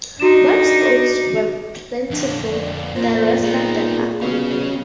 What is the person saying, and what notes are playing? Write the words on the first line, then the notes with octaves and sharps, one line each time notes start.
When stones were plentiful, they rested the ark on them.
D4 D#4 F#4 E7
F2 D3 D4
D5
F2 A#2 C5
B3 D#4 G#4
B2 C#4 F5